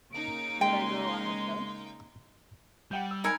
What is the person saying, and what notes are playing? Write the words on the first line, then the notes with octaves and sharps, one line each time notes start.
Would I go on the show?
C#3 A#3 D#4 D7
G#3 G5 C6
G3 F#5 G5 G6
E6
D#4 A#4 G#5 B5 E6 C#7